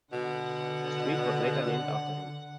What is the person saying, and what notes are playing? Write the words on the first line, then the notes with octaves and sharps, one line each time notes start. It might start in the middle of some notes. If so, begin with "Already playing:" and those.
A street was later named after him.
B2 D3 F#5